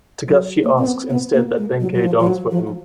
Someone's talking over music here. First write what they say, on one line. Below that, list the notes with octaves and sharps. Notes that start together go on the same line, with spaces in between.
Togashi asks instead that Benkei dance for him.
F#3
A#3
C4
B3
B3
A#3
G#3
F#3
F#3
F3
F3
F#3
F3